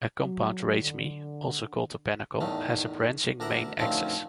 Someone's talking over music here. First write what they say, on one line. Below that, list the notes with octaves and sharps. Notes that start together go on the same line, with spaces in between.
A compound raceme, also called a panicle, has a branching main axis.
F#3
D3
E2 A2 D#3 A3
D2 D4 A#4 E5 F#5
D2 D#3 F3 A3 C4 C#4